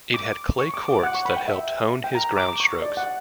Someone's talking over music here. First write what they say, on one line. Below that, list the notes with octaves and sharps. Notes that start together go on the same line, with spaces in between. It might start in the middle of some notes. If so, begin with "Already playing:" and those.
It had clay courts that helped hone his groundstrokes.
D6
C#6
D6
D6
F#5
C#6
B5
G5
E5
G5
A#5
D6
C#6
D5
F#5